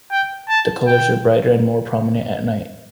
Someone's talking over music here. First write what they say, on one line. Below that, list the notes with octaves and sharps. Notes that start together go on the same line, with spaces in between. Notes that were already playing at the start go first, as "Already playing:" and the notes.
The colors are brighter and more prominent at night.
G5
A5
G5